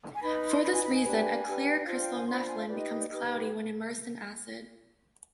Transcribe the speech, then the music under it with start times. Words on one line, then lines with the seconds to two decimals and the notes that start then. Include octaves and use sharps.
For this reason, a clear crystal of nepheline becomes cloudy when immersed in acid.
0.13 G#5
0.22 D#4 B4 B5
0.36 B5
0.49 C6
0.63 D#4 B4 B5
0.74 G#5
0.84 B5
0.94 G#5
1.04 D4 G4 B4
1.45 D4 G4 B4
1.86 D4 F4 C5 F5
2.00 G5
2.14 G#5
2.26 D4 F4 C5 C6
2.37 B5
2.47 G#5
2.58 F5
2.67 D#4 G4 B4 D5
2.78 D#5
2.88 D#5
2.99 D5
3.09 D#4 G4 B4 D#5